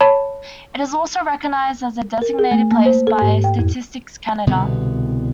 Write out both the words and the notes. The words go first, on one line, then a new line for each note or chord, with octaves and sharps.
It is also recognized as a designated place by Statistics Canada.
C#5 A5 B5
A#4
G#4
A3
A#3
C5
A4
G#2
G5
F2
C2 B2 D3 B3